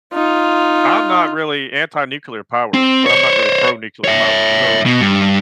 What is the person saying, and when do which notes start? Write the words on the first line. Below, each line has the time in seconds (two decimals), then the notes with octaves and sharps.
I'm not really anti-nuclear power, but I'm not really pro-nuclear power, so
0.13 D#4 F4
2.74 C4
3.06 C5 C#5
4.04 C#5 E5
4.86 B2
5.01 G2